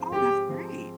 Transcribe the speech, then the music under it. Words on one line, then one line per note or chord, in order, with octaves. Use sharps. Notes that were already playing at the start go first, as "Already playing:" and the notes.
Oh, that's great.
Already playing: G#2 F3 G#3 C4 F4
G#2 G4
F3 G#3 C4 F4